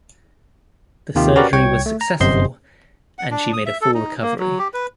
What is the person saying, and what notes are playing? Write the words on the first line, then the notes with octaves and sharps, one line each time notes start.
The surgery was successful, and she made a full recovery.
D#2 C3 D#3 F4 G4
C#4 F#4 G4 A#4 B4 D5
C2 C#5 G5 C#6 G#6
A3
A#5
G1 F#2 C3 C5 D#5 C6
F#5
D4
D#6
E5
A4
D#4
A#3
F#3
G4
B4